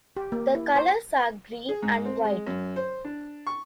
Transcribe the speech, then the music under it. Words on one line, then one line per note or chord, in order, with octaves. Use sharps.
The colors are green and white.
G4
A#3
E4
C5
G#4
G#2
C4
G#3
F#2
C5
D4
C#6